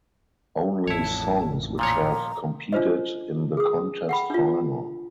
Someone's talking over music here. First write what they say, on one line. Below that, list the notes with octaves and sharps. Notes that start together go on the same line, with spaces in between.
Only songs which have competed in the contest final.
A1 F2 E4 C#5 A5
A#2 F3 C#5 A#5
D4 F4 C5 D#5
G#4 D#6
F#5 G5 B5
D4 F4